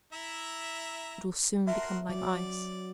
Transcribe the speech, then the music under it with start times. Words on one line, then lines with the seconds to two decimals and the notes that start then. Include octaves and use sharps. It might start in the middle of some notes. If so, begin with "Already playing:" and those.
It will soon become like ice.
0.13 E4 E5 A#5
1.67 F#4 A#4 E5 A5 C6
2.09 F#3 D5